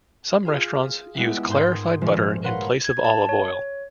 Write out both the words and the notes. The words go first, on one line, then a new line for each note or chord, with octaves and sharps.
Some restaurants use clarified butter in place of olive oil.
F4 G#4 F6
G#3 B3 E4 G4 E5
G#2 A#4 C6 D#6 G6 G#6
D#1 F3 G#3 C#4 F4 E5
A#4 B4 C#5 F5 F#5 C6
G#6
A5
C#5